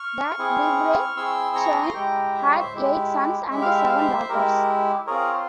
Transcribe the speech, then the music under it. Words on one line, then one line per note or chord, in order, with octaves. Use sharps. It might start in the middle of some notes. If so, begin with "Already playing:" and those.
The "Divrei Chaim" had eight sons and seven daughters.
Already playing: C#6 F6
C4 E4 G#4
C4 E4 G#4 C6 E6
A#5 C#6
C6
G#3 E4 G4 G5 A#5
E5
C#5
C5 E5
G#3 E4 G4
G#3 E4 G4 E5
F5
E5
F5
C5 E5
C5
G#3 E4 G4 A#4
C4 F4 G#4 A#4 C#5
C5